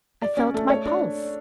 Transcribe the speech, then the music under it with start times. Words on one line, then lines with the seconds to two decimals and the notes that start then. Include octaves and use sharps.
I felt my pulse.
0.22 D5
0.37 C#4
0.54 A3
0.70 C#5
0.86 D4